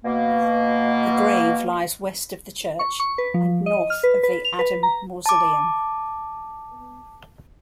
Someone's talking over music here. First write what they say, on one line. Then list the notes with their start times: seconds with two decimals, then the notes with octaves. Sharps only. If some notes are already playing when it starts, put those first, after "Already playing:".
The grave lies west of the church and north of the Adam mausoleum.
0.05 B2 A#3
2.79 C#6
3.00 C#6
3.18 B4
3.34 F3
3.66 D#5
3.90 F6
4.03 B4
4.23 B4
4.45 F7
4.59 B4
4.83 A#5
5.26 A5 D6